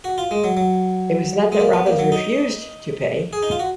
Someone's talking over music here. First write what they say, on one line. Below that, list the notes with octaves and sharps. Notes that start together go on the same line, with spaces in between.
It was not that Robens refused to pay.
F#4
F4
G#3
F#3
F#3
G#3
A#3
B3
A#3
F#3
D#4
G#4
D#4
F4
F#4